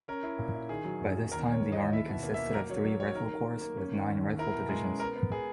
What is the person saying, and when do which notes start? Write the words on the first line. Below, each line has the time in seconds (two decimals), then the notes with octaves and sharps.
By this time the army consisted of three Rifle Corps with nine rifle divisions.
0.08 C#4 A#4
0.23 E4
0.39 A#2
0.54 E4
0.69 D#3 G#4
0.85 F#3
1.01 F#2
1.15 F#3
1.32 D#2 A#4
1.46 D#2
1.52 C#5
1.62 E3
1.72 D#5
1.77 D#2
1.92 E4 E5
2.09 B2 E5
2.23 A#3
2.34 E5
2.39 A#3
2.53 F#3 A#4
2.70 F#3 C#5
2.84 F#3 C#5
3.00 F#3 C#5
3.15 D#3 A#4
3.31 D#3
3.46 D#3
3.61 A#3
3.77 C#4
3.93 D#3
4.07 D#2
4.23 D#2
4.38 E4 A#4
4.53 B2
4.69 G#3 G#4
4.84 C#4
5.00 B3 A#4
5.16 B3
5.31 B3 G#4